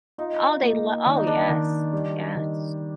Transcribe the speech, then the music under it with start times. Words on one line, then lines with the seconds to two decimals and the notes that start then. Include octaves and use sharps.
Oh, they lo Oh, yes. Yes.
0.18 D#4 F4
0.62 A#3
1.06 D#3 D4
1.17 D#4
1.27 D4
1.49 D#3
1.93 G3
2.35 D#3